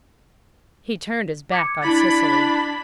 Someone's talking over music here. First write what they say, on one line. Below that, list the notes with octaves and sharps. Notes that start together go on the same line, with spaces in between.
He turned his back on Cecily.
D6 G#6 C#7
D4 E4 B5 G#6 A6